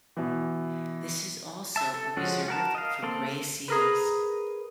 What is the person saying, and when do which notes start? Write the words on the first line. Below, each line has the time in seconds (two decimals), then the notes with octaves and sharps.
This is also a reserve for grey seals.
0.17 B2 E3
1.76 E5 A5
1.94 A4
2.17 F3 G#3 C#4 F#4
2.48 F#4 A#4 A5
2.75 D#5 F5
3.03 A#3 C4 A4
3.68 G#4 A#4 B4